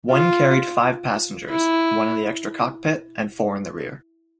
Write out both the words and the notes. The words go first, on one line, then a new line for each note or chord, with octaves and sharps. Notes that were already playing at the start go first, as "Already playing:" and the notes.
One carried five passengers, one in the extra cockpit and four in the rear.
F4
E4